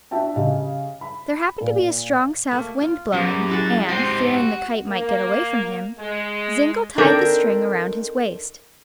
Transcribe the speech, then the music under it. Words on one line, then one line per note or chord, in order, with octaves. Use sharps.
There happened to be a strong south wind blowing and, fearing the kite might get away from him, Zingle tied the string around his waist.
D4 F#4 E5 G5 A5
C#3 C#4 G4 D#5
B5
A#2
A3 A#3
F4
F#2 B3 G4 G#4
E4 F#4 G#4 A6
G#3 C4 D#4 G4 C5 G5 C7
F#4
A#3
G#3
D#3 C4 D4 A4 A#4 A#5